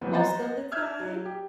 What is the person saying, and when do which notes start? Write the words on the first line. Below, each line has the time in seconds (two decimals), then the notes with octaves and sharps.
most of the time
0.01 D#2 E3 B3 C4
0.13 C5 D#5 F#5 G#5 A#5 A6
0.71 E5 E6 F6 G6 G#6
1.00 F#3
1.25 G4